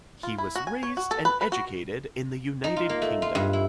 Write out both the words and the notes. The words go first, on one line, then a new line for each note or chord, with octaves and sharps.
He was raised and educated in the United Kingdom.
F4
E4
F#4
G#5
C#5
F#4
A4
B4
B4
F#4
D#4
F4
A#3
A3
F4
G2
E4